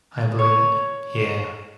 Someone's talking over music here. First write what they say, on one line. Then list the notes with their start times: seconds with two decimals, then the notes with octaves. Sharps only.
I believe it. Yeah.
0.39 C#5